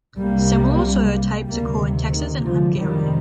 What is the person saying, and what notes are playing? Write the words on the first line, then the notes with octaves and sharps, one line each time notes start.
Similar soil types occur in Texas and Hungary.
C2 C3 G3 A#3
D2 C3 G3 A#3
D#3
D#3
D3 F3
F2 C3 D#3 G3